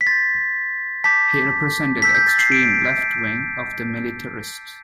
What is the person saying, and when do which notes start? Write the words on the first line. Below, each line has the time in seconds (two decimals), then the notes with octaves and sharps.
He represented the extreme left-wing of the militarists.
0.01 B6
0.07 C6 G6 A6
1.04 A5 D6 G6 B6
2.02 A5 E6 G6 B6
2.15 G6
2.27 A6
2.39 C7
2.52 D7